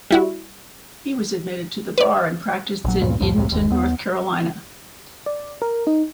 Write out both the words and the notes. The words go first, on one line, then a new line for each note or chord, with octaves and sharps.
He was admitted to the bar and practiced in Edenton, North Carolina.
G3 E4 F#4
B4 D5
A#1 F#3
D2 G2 A#2
C2 F2 A2 F3
C2 F2 A2 C3
G1 D#2
D#2 B3
D5
A#4
D#4